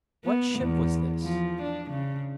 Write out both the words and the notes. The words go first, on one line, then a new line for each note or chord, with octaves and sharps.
What ship was this?
B3
E2
F3
D4
C#3